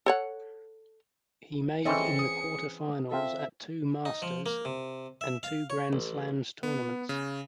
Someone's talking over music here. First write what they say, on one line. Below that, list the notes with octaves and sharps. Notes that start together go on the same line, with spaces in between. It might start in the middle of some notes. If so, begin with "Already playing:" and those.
He made in the quarter-finals at two Masters and two Grand Slams tournaments.
A4 C#5 F#5
E3 C4 C#4 G#4 A4 D#5 E5 C#7
D#6
C4 F4 A4 E5
D#4
F3
A#3
C3
E5
F5
C#5
A1
B3
C#3